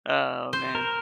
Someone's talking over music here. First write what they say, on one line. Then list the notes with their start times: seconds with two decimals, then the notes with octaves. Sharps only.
Oh, man.
0.53 C5
0.75 A#4